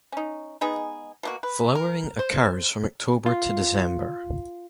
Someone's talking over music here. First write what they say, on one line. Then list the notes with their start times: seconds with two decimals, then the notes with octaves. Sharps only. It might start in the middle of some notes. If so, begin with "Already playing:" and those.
Flowering occurs from October to December.
0.12 C#4 D#4
0.61 G#3 B3 D#4 G#4
1.23 B2 A#3 F#4
1.43 B4
1.75 A#4
2.19 C5
3.26 F4